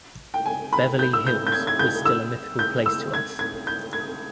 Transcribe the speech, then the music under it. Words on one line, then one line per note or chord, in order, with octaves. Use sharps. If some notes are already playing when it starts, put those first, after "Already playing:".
Beverly Hills was still a mythical place to us.
G5
G#5
B5
G6
E6
G6
G6
G#6
G#6
G6
E6
G6
E6
G#6
G#6
G6
G#6